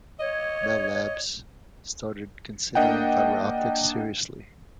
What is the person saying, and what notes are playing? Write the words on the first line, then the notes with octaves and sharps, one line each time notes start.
Bell Labs started considering fiber optics seriously.
C#5 D#5
A#3 D4 D#5 F#5 G5